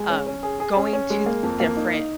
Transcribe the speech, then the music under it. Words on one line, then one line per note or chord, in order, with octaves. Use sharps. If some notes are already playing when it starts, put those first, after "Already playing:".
um, going to th different
Already playing: G#3
C#4
C#4
G#4
G#4
C#4
C#4
G#3
A#3
F2
A#3
D#4
D#4